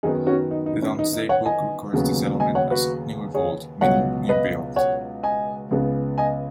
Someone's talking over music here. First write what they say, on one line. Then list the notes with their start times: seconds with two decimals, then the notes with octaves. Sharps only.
The Domesday Book records the settlement as "Niwebold" meaning 'New Build'.
0.03 F#2 D#3 F#3 B3 D#4 G#4
0.27 C#4 F#4
0.51 D#4
0.66 D#4
0.82 C#4
0.99 D#4
1.13 D#4
1.29 C#5 F#5
1.45 D#5 G#5
1.93 D#2 C#3 F#3 B3
2.40 D#5 G#5
2.55 C#5 F#5
2.71 F#4 B4
3.34 G#4 C#5
3.81 C#2 B2 F#3 B3 C#5 F#5
4.29 B4 D#5
4.76 C#5 F#5
5.23 D#5 G#5
5.71 C#2 C#3 B3
6.18 D#5 G#5